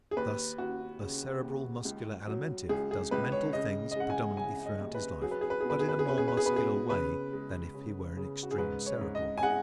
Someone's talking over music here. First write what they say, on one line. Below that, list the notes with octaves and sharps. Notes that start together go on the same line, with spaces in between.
Thus, a Cerebral-Muscular-Alimentive does MENTAL things predominantly throughout his life, but in a more MUSCULAR way than if he were an extreme Cerebral.
G#4
D#2 B4
D#2 F#4
C#3
D#2
C#2
F#3
C#2 G#4
G#4
C#2 B4
C#5
C#3 D#5
D#5
G#3 F#5
G#5
C#3 G#5
D#5
D#2
B4
F#3 G#4
B4
G#4
B4
B2 G#4
B4
G#4
B4
G#4
C#4 B4
G#4
B4
G#4
B2 B4
G#4
C#3 B4
G#3
C#3
C#3
F#4
G#4
G#2 B4
C#5
G#2
D#5
G#5
G#3 F#5